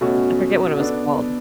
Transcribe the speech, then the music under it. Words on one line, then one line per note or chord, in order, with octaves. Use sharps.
I forget what it was called.
B2 A3 C#4 F#4
B3 D4 A4